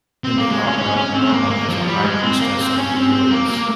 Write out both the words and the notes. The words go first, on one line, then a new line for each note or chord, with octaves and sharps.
In the opera, Norma is a high priestess of the Druids.
C4
A#3
G#3
C#4
C#4
C#4
C4
G#3
A#3
A#3
F3
G3
G#3
C4
A#3
C4
C#4
C4
C4
A#3
A#3